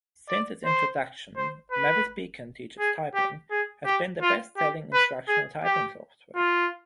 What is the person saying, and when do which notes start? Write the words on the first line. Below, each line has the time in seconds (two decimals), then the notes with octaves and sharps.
Since its introduction, Mavis Beacon Teaches Typing has been the best-selling instructional typing software.
0.29 D5
0.65 C5
1.36 C5
1.71 B4
2.79 G#4
3.15 G4
3.50 G#4
3.85 G4
4.22 F4
4.57 G4
4.93 B4
5.28 G#4
5.64 G4
6.36 F4